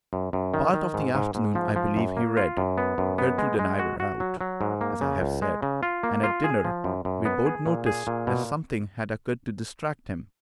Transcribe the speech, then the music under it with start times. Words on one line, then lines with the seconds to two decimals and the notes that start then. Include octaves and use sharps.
Part of the afternoon I believe he read--Gertrude and I were out, as I have said, and at dinner we both noticed that something had occurred to distract him.
0.13 F#2
0.33 F#2
0.54 D#3
0.74 D#3
0.94 G#2
1.15 G#2
1.35 G#2
1.55 F3
1.76 F3
1.97 F#2
2.17 A#3
2.37 F4
2.57 F#2
2.78 B3
2.98 F#2
3.18 B3
3.38 G#3
3.59 G#3
3.79 F#4
4.00 F#4
4.20 F#3
4.41 F#3
4.61 G#2
4.81 A#3
5.01 C#3
5.22 C#2
5.42 G#3
5.62 C#3
5.83 F4
6.03 A#3
6.23 F4
6.44 G#4
6.65 F3
6.84 F#2
7.05 F#2
7.25 B3
7.46 G#4
7.66 A#2
7.86 G#4
8.07 A#2
8.27 B2